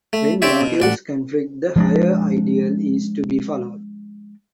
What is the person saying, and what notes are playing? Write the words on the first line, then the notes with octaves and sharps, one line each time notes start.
When motives conflict, the higher ideal is to be followed.
A3
C4 G4 C#5 D5 E5
B2
A1 D5 F#5
F3 G#3 D4